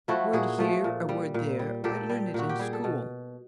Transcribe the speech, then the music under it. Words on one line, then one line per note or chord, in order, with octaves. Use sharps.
'A word here, a word there; I learn it in school.'
F3 A3 E4 F#4
A#2 F#4 G#4
F3 A3
A#2
G3
A#2
G3
A#2 G4 A4
G3
A#2 F#4
G4
G3 G#4
A4
B2